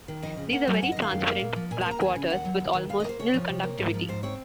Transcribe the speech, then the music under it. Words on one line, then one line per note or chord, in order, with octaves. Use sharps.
These are very transparent blackwaters with almost nil conductivity.
D#3
F2 D#5
C#3
A#3 F#5
F#3
G#5
F#2 F#5
D#5
D#3
F5
F#2
A#3
A#2
F3
A#2 G#5
G#5
A#3
A#5
D#2 G#5
C#3
D#2 F#5
F#3
D#2
D#3
D#2 F5
D#5
A#3 C5
C3 C#5
F3
C3
A#3
G#2
F3
G#2 C5
C4 C#5